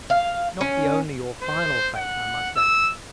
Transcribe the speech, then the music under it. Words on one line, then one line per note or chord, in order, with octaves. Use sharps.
Not the only or final fate, I must add.
F5
C#4
C5
F#5
E6